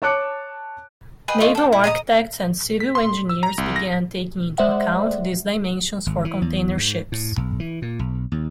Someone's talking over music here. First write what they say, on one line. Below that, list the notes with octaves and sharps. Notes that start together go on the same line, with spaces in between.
Naval architects and civil engineers began taking into account these dimensions for container ships.
C#5 A5 D6 F#6 C#7
G#4 B4 D#5 G5
F4 D#5 C#6
A4 G5
E4
D#5 A#5 D#6
B6
C6
E6
A#5
C2
A#6
G#3 C5 D5 E5 F#5
G#1
E3
E2
G#2
A2
B1
E3
A#2
B1
D#2